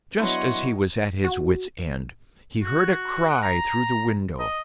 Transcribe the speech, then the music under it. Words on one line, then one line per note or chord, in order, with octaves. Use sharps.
Just as he was at his wit's end, he heard a cry through the window.
F#3 B3 D4 E4 C#5 D#5 F#5 C6
F#4
F#4
F#5
A#5
D#5